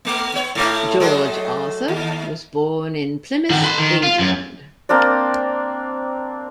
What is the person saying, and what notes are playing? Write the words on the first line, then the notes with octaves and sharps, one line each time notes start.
George Arthur was born in Plymouth, England.
A3 B3
B3 C#5
A2 A3 E4
F#3 G#3 A3
D#2
D#3 F#4
B4 C6
D#3
F4
F#2
A#3 C4 D4 D5